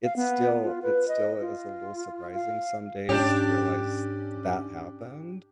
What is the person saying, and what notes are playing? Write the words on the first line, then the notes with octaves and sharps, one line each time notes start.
it's still it still is a little surprising some days to realize that happened,
F5
B3
F4
B4
D#5
F4
F5
G#2 C#4 D4 G4